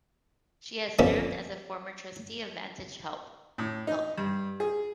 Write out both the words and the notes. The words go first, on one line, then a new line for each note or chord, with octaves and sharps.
She has served as a former Trustee of Vantage Health.
F2 D3 F3 B3 C#4
A2
D#4
G2
G#4